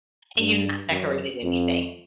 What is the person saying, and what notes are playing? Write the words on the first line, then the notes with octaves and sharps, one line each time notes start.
and you've not decorated anything.
G2
F#2
F2